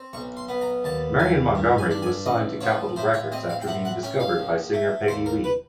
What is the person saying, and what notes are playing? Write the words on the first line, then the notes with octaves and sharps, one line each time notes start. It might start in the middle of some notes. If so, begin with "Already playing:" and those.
Marion Montgomery was signed to Capitol Records after being discovered by singer Peggy Lee.
Already playing: C4
B1 C#6
C6
B3
A#5
D#2 A5
D#2 G#5
G2
G#5
D4
G#5
A1 D#5
F3 C#5
A2 C5
C#5
C4 D#5
F5
G5
A2 F#5
F#5
C#4 G5
F5
A#1
A3
D#2 C5
A#4
B4